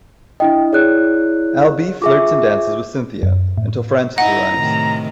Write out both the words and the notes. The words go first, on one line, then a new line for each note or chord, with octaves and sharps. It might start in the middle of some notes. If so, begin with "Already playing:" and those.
Al B flirts and dances with Cynthia, until Francis arrives.
D4 E4 D#5 G5
E4 G#4 C#5 D5 F#6
F4 G#4 E5 C#6 D6
F#2
A2
D#4 E4 F#5 A#5
A2 C3 D#3